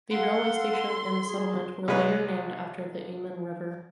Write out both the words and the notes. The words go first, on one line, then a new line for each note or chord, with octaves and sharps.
The railway station and settlement were later named after the Iman River.
A4 F5 F#5 C6
F#4 G#4
C2 G#3 B4 C#5